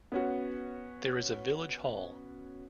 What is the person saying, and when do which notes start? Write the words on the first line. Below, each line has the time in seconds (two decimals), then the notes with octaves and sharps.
There is a village hall.
0.12 B3 C#4 F#4